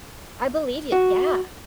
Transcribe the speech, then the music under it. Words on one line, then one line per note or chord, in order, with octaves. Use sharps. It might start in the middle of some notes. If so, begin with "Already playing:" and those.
I believe it, yeah.
F#4